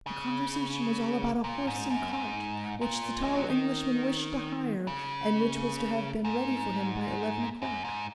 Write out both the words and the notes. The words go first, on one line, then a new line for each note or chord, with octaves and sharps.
"The conversation was all about a horse and cart, which the tall Englishman wished to hire, and which was to have been ready for him by eleven o'clock."
C#3
A#2
G#2
F#2
G#2
A#2
G#3
F#3
D#3
C#3
G#2
F#2
G#2